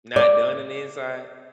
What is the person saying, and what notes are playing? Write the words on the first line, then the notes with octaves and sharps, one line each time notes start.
not done in the inside
D5